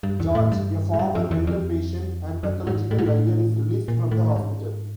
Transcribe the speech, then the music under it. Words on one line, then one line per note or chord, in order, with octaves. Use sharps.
George, a former mental patient and pathological liar, is released from the hospital.
G2
E2
A2
G2
G#2
G2
F2
E2
F2
F#2
G#2
A2
G#2
A2
A#2
A2
G#2